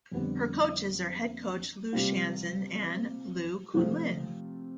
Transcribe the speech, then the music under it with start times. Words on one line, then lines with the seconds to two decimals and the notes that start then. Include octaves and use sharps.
Her coaches are head coach Lu Shanzhen, and Liu Qun Lin.
0.11 F2 D3 G3 B3
1.93 C3 G3 C4 F4
3.73 C3 F3 A3 C4 F4